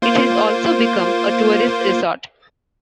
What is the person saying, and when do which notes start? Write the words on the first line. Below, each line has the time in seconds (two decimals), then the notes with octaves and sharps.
It has also become a tourist resort.
0.02 A#3 F4 C5